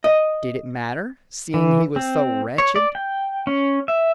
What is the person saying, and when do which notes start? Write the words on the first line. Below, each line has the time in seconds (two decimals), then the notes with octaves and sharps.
Did it matter, seeing he was so wretched?
0.04 D#5
1.54 E3
1.96 C4
2.58 C#5
2.76 D5
2.95 G5
3.47 C#4
3.88 E5